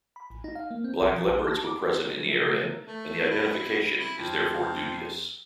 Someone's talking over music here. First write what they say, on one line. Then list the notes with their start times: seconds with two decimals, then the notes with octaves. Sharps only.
Black leopards were present in the area and the identification is therefore dubious.
0.16 B5
0.30 A1
0.44 D#4
0.55 F5
0.71 A#3
0.84 C4
1.01 B1
1.12 F3
1.26 A#1
1.39 A4
1.51 A5
1.67 D6
1.95 C4 D#4 F#4 A4
2.13 F3 F#3 C#4 A4 B4
2.26 E4 F4 G4 A4 A#4 E5
2.40 C#3 A3
2.59 C#3 E3 B3 A#4
2.87 A3
3.31 E4
3.99 E4
4.18 F2